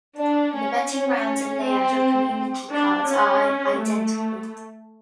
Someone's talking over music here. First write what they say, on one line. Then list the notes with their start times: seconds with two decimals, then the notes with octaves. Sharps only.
The betting rounds and layout of community cards are identical.
0.17 D4
0.53 C#4
0.89 C#4
1.62 C4
2.72 D4
3.07 C#4
3.80 A3